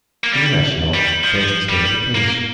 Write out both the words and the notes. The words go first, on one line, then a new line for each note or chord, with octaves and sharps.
In a nut-shell, there's the state of the case.'
A#3
G3
G3
F3
G3
A#3